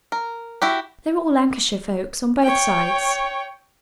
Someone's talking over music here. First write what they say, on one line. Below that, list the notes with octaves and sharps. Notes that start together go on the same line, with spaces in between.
They were all Lancashire folks, on both sides.
A#4
E4 F#4 G4
C#5 G5